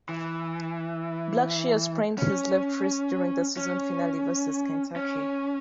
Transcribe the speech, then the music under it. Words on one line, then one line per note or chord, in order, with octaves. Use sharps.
Blackshear sprained his left wrist during the season finale versus Kentucky.
E3
C#4
C#4
C#4